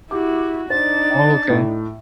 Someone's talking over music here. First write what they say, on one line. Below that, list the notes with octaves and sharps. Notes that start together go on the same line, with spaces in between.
Oh, okay.
E4 F#4 G4 D6
D4 D#4 C5 A6
A2